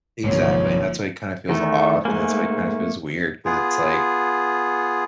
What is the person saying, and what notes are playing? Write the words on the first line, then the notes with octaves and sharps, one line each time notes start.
Exactly. And that's why it kinda feels off, and that's why it kinda feels weird 'cause it's like,
G1 C2 G#2 E3 F3 A#3 C#5
E2 D#3 A3
G#2 A3 A#3 G#5
B3 F4 G#4